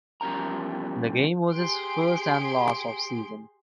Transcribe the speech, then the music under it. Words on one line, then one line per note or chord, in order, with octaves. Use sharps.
The game was his first and last of season.
E2 F3 G3 C#4 A#4 A#5
G4 G#4 C6 D7